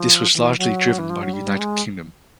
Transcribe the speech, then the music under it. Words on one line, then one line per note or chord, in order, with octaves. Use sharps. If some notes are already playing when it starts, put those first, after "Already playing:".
This was largely driven by the United Kingdom.
Already playing: F3
E3
F#3
E3
F3
F#3
G3
G#3